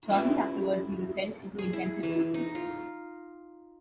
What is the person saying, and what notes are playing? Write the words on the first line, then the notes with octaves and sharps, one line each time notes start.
Shortly afterwards, he was sent into intensive treatment.
G3 C#4 E4 F4 B4 E5
G#4
E4
E3
D#4
F4